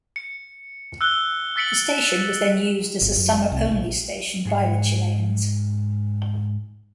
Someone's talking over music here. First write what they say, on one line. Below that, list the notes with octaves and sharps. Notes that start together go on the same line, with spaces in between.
The station was then used as a summer only station by the Chileans.
C#7
E6 F#6 G7
E6 A6 B6 C#7 D7 F#7
G1
F#2
C2
A#1
G#2 G#4 F#5